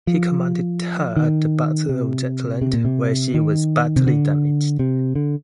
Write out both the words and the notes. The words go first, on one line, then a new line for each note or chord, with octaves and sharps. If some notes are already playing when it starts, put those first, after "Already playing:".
He commanded her at the Battle of Jutland, where she was badly damaged.
F3
D#3
C3
C3
A#2
C3
D#3
C3
D3
C3
D3